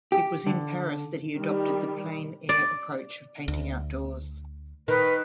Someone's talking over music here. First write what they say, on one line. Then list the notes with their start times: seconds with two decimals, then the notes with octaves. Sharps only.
It was in Paris that he adopted the plein-air approach of painting outdoors.
0.12 G4
0.46 D3
1.37 D#3 G3
2.49 D5
3.48 D2
4.88 D#3 B4